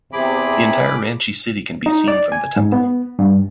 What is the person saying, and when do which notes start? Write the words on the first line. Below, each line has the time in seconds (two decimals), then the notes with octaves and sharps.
The entire Ranchi city can be seen from the temple.
0.13 E2 C3 G#4 B5 D6
1.86 D#4
2.08 D5
2.32 G#5
2.56 G#2
2.72 B3
3.19 G2